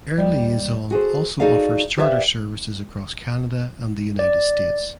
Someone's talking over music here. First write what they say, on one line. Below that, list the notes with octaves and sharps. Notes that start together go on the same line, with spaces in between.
Air Liaison also offers charter services across Canada and the United States.
D#2 G3
F#4 G#4 A4 C5
D#4 F#4 G#4 A4 D5 F5
G4 B4 C5 D5 E5 F5
D5